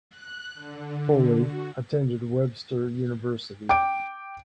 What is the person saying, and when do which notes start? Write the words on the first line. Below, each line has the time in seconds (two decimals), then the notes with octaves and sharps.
Foley attended Webster University.
0.10 F#6
0.55 D3
1.42 F#4
3.69 G5 D6 D7